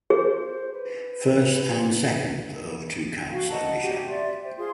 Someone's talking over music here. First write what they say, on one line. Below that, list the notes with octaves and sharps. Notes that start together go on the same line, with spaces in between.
First and second of two counts only shown.
G#4 C5
B4
F#4 F5
D#5 F#5 A5 A#5
F#4 G4
D5 E5 C6
C5 G5
F4 G#4 C6